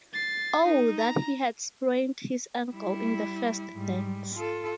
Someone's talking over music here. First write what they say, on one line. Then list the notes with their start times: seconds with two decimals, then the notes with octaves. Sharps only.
Oh that he had sprained his ankle in the first dance!
0.13 A6 C7
0.65 D#4
0.98 A#5
2.73 G3 E4
3.72 G#2 G3
4.35 F4 A4